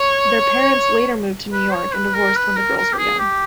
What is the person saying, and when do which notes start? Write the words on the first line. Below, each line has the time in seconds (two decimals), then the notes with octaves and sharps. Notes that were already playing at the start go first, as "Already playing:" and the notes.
Their parents later moved to New York and divorced when the girls were young.
Already playing: C#5
1.53 B4
1.73 C#5
1.94 B4
2.15 A#4
2.36 B4
2.57 A#4
2.77 A#4
2.93 G4
2.98 G#4
3.19 G4